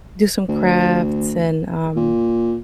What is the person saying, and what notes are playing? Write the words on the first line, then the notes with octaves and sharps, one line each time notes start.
do some crafts and, um,
D2
A#2